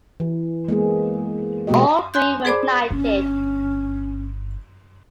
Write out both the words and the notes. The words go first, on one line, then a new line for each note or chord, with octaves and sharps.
All three were knighted.
E3
G#3 A#3 B3 G#4
B2 G#3 A#3 F#4 G4 D#5
G#5 C6 F#6 G6
G#4 C5 D5 B5 D6
G1 C#4